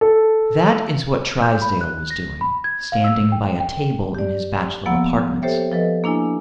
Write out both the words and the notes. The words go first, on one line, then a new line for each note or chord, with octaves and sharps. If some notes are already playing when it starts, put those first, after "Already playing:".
That is what Trysdale was doing, standing by a table in his bachelor apartments.
A4
G6
B5
F#6
A#6
B5
G#6
F5
E6
G5
G5
G4 D5
F3 A#3 B3 F#5 E6
G4 A4 C5 C#5 E5 G5
F3 A4 B4 D#5
A#3 D4 E4 G#5